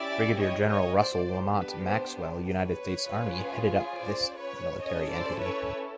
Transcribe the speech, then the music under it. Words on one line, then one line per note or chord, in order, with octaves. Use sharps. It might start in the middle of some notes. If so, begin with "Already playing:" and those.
Brigadier General Russell Lamont Maxwell, United States Army, headed up this military entity.
Already playing: C#4 E4 G4 D5 E5
C#5 D#5
C#5 D#5
C5 D5
B3 D4 G4 C5
B4
C5
B4 C#5
C#4 F4 G#4
C5 D5
B4 C#5
C#4 E4 A4 C#5 D#5
C5 D5
B4 C#5